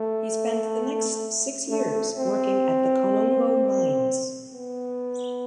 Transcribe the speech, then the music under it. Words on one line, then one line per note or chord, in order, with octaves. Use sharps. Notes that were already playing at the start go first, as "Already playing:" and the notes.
He spent the next six years working at the Konongo mines.
Already playing: A3
A3
C4
B3